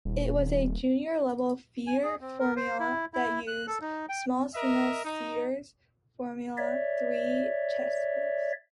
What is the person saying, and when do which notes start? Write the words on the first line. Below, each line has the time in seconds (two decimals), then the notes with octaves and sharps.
It was a junior-level feeder formula that used small single seater Formula Three chassis.
0.05 D#1
1.87 G#5
2.03 G#4
2.21 C4
2.40 A#4
2.56 C5
2.80 E4
3.14 E4
3.47 F#6
3.67 A4
3.81 D#4
4.09 G5
4.54 A#4 D#5 E5
5.04 D#4
6.58 C#5 D5 E5